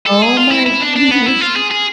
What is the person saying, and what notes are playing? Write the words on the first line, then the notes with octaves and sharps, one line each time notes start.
Oh my goodness.
A4
G#4
F4
E4
E4
D4
D4
B3
E4
F4
G#4
G#4